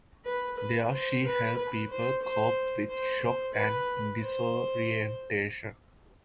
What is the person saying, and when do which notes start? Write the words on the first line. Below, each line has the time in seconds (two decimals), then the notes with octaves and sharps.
There she helped people cope with shock and disorientation.
0.25 B4
0.58 B4
0.91 C5
1.25 B4
1.57 B4
1.90 C5
2.23 C5
2.89 C5
3.22 C5
3.54 B4
4.21 C5